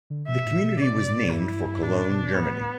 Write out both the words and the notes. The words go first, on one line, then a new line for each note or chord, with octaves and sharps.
The community was named for Cologne, Germany.
D3
B2 E5
A2
B2
A2
B2 D5
C3
A2
B2
G2 E4
G2
G2
A2 D4
B2
A2 B3
A2